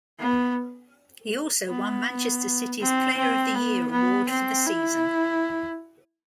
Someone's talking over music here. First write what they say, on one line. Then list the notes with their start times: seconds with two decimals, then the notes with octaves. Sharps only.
He also won Manchester City's Player of the Year award for the season.
0.20 B3
1.69 B3
2.81 C4
3.18 C4
3.55 B3
3.91 B3
4.29 C4
4.66 E4